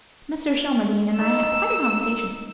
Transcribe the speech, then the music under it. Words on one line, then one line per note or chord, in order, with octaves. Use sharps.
Mr. Shelmardine and I had quite a conversation.
D#4 E6